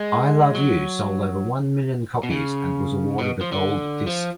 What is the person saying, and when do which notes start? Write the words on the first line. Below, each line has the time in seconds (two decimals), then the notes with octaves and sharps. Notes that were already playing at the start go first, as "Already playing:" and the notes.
I Love You, sold over one million copies, and was awarded a gold disc.
Already playing: G#3
0.55 F#3
2.23 B2
2.31 C#3
3.19 B2
3.41 F3
3.52 D3
4.07 F3